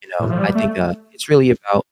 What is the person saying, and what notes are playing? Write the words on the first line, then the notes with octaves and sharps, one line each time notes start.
uh, you know, I think, uh, it's really about,
A2
F3
G3
A3